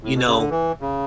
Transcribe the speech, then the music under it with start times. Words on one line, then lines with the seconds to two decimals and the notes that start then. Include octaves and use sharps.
you know,
0.03 A2
0.15 B2
0.27 C#3
0.38 D3
0.50 E3
0.81 C#3